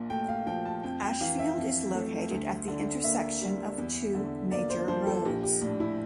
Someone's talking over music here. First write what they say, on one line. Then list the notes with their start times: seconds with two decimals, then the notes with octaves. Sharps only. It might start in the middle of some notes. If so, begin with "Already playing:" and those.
Ashfield is located at the intersection of two major roads.
Already playing: A#1 A#2
0.10 A3 G5
0.29 F5
0.47 F3 G5
0.66 A5
0.83 F2 G5
1.02 G5
1.21 E3 F5
1.39 E5
1.57 F2
1.94 A3
2.31 D2
2.68 D3
3.04 A#3 E5
3.41 G3
3.78 E2
4.15 D3
4.51 A#3 D5
4.70 C5
4.88 F3 C5
5.07 A4
5.25 A#1 G4
5.43 G4
5.62 A2 D4
5.80 E4